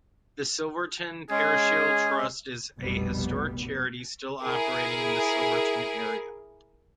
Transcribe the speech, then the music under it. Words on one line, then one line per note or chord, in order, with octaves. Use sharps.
The Silverton Parochial Trust is a historic charity still operating in the Silverton area.
G#3 C#4 G#4
F1 A#1 B2 G3 B3
E4 G#4 A#4